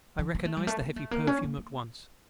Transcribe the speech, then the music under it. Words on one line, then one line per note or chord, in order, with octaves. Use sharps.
I recognized the heavy perfume at once.
E3
A#3
A3
G3
A3
A#3
A3
A#3
C#4
A#3
A#3